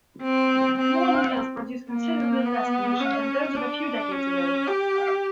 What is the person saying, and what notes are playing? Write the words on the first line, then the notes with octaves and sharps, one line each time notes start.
Modern mills produce considerably less pollution than those of a few decades ago.
C4
C4
A#3
B3
C#4
D4
C#4
G4